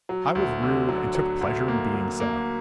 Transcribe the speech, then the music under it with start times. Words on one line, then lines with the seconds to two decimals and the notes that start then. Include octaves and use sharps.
I was rude and took pleasure in being so.
0.09 F#3
0.35 D2
0.62 D3
0.89 F#3
1.15 F#3
1.41 D2
1.68 A#3
1.94 F#3
2.20 A#3